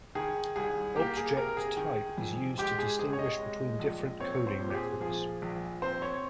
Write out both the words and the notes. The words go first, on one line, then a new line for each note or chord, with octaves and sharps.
Object Type is used to distinguish between different coding methods.
D#3 G#4
C2 G#4
A#3 G4
G#4
C3 A#4
G#4
D#3
F2
G#3 G4
G#4
C3 G#4
C#5
D#5
G#3
A#1
C4 C#5
C5
A#2
G4
G#4
F3 G#4
A#1
C4 C5
C#5